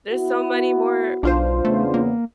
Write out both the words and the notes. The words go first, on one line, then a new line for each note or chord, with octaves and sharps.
there's so many more
B3 E4 F#4
B1 D4 F4 C5
E2 C#3 A3 B3
A#3